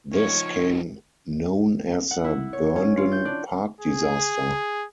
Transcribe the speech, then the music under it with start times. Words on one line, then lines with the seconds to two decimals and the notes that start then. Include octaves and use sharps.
This came known as the Burnden Park disaster.
0.14 F3 D#4 C#5
2.11 F#5
2.24 E4
2.53 C#5
2.76 C#4
2.97 F4
3.12 G6
3.25 D4
3.81 G#4